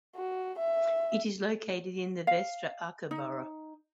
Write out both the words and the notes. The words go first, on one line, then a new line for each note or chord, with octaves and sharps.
It is located in the Vestre Aker borough.
F#4
E5
F5
D#4